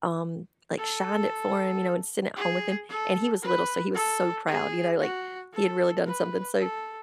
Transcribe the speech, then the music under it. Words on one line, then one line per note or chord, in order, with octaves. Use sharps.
um like, shined it for him, you know, and sent it home with him and he was little, so, he was so proud, you know, like, he had really done something, so
A4
G#4
A4
B4
A4
G#4
F#4
A4
B4
A4